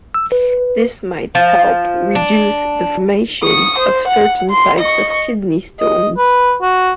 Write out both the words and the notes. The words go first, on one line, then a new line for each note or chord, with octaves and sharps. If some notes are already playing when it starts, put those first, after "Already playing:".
This might help reduce the formation of certain types of kidney stones.
E6
B4
F3
D4
C#6 D#6
C5
F#5
C6
D#5 C#6
D#5
B4
F#4